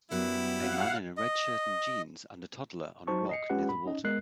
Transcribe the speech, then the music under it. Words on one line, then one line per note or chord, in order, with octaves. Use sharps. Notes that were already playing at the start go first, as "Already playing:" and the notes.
A man in a red shirt and jeans and a toddler on a rock near the water.
F#2 F#3 G3 B3 E4 A#4
F5 F#5
D#5
F#3 D#4 F#4 C5 A5 C#6
D#5 C7 C#7
G#3 C#4 F4 G4 B4 F#5
B5
C#4 D#4 D#5
G#3 B3 A#4 D#5 F#6 C7